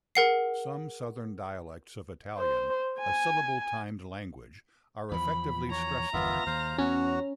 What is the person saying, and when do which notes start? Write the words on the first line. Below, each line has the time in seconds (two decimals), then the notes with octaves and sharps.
Some southern dialects of Italian, a syllable-timed language, are effectively stress-timed.
0.15 G#4 A#4 F#5 C7
2.38 C5
2.99 G#5
5.11 E2 F3 B5
5.71 C#5 A#5
6.13 G1 E2 D#3 B3 F4 E5
6.46 D#2 C5 F5
6.78 E2 B3 C#4 F#4